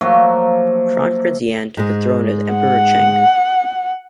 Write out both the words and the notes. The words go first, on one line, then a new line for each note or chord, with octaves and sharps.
Crown Prince Yan took the throne as Emperor Cheng.
F3 F#3 A3 A#3
G#2 G#3
F#5